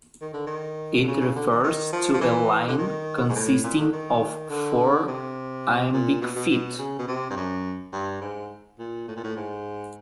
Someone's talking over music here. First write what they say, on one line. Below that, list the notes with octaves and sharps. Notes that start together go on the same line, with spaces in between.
It refers to a line consisting of four iambic feet.
D#3
D3
D#3
D3
C#3
C#3
D3
D#3
D#3
F3
F3
E3
D3
D#3
G#2
A2
A#2
D3
D#3
D3
C3
A#2
B2
B2
B2
C#3
B2
C3
G2
F#2
G2
G#2
A#2
A2
A#2
A2
G#2